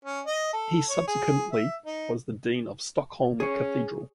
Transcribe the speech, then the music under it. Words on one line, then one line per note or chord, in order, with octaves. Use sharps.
He subsequently was the Dean of Stockholm Cathedral.
C#4
D#5
A4
C#5
G#4
E5
D#4
C#4 G#4 C#5